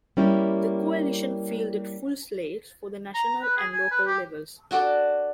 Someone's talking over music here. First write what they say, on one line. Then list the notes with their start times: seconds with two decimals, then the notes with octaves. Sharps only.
The coalition fielded full slates for the national and local levels.
0.17 G3 A#3 C#4 E4 G4
3.15 A#5
3.42 B4
3.57 G#4
3.73 G#5
3.91 B4
4.07 G4
4.71 D4 F#4 A4 D5